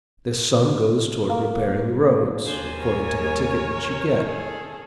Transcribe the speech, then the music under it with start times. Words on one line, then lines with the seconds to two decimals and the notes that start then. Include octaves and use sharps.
This sum goes toward repairing the roads, according to the ticket which you get.
1.29 A#3
2.46 D#2 D4 C5 G#5
2.77 A#4 C#5
4.23 G#4 A4